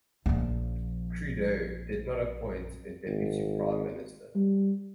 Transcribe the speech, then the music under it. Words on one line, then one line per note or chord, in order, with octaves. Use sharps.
Trudeau did not appoint a deputy prime minister.
A#1 F3
G#1
G3